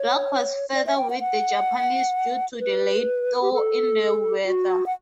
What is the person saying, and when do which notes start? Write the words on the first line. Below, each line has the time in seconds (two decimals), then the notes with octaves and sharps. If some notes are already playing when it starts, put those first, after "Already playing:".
Luck was further with the Japanese due to the late thaw in the weather.
Already playing: C#5
0.74 D5
0.87 E5
0.97 G5
1.10 F#5
1.20 F#5
2.60 B4
3.42 G4
3.53 A4
4.46 F#4
4.86 F#5